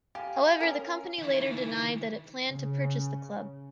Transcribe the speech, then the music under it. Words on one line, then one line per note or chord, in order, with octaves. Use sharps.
However, the company later denied that it planned to purchase the club.
G4 F5 G#5
C#4 A#4
D#3 E4
C#3